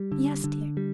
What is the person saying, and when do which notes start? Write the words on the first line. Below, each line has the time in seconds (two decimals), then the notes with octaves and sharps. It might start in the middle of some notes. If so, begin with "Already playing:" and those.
"Yes, dear."
Already playing: G3
0.12 D3
0.44 D3
0.77 G3